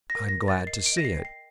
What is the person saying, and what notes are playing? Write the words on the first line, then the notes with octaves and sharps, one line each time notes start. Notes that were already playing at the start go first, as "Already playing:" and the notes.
"I'm glad to see it."
A#6
A#4
A#6
A#4
A6
D#5 C7
D7
D#5 A#6
C7
G5
C7